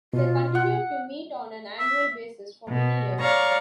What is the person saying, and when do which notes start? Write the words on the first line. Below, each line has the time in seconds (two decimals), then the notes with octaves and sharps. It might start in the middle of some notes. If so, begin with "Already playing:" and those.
They continued to meet on an annual basis for many years.
0.13 B2 F4
0.55 F#5
1.79 E5
2.67 B2
3.20 C#5 D5 F5 A#5 C#6